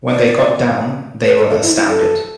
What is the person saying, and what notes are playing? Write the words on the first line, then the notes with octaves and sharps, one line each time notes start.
When they got down, they were astounded.
D5
B4
A4
A4
E4
E4
A4